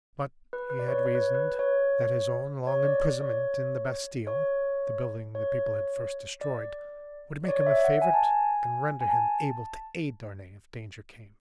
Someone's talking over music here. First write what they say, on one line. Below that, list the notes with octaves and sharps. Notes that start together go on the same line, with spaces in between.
But he had reasoned that his own long imprisonment in the Bastille--the building the people had first destroyed--would make him a favorite, and render him able to aid Darnay if danger came.
B4
B4
D5
C#5
C#5
B4
B4
C#5
C#5
D5
D5
C#5
C#5
C#5
D5
D5
C#5
D5
E5
F#5
G#5
A5
G#5
G#5
A5